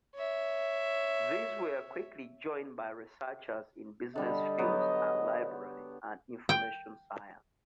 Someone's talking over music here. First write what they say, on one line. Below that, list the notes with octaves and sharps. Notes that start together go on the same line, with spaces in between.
These were quickly joined by researchers in business fields and library and information science.
C#5 E5
D3 G3 D#5
F#3 B3 G4
G5